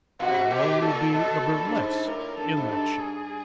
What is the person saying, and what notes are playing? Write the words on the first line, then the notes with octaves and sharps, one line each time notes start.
It will only be a burlesque in that shape.
B2 F#4
C3
B2
B2 G4
A#2 A4
B2
A#2
G2
G#2
A2 A#4
G2 A4
G#2
G2 A4
G#4